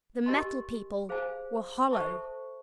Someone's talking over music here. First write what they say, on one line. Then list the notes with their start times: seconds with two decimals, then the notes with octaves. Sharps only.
The Metal People were hollow!
0.26 G4 A#4 D#5 G#5 C6
1.09 G#4 C5 F5 G#5
1.91 A4 C5 E5 A5 C#6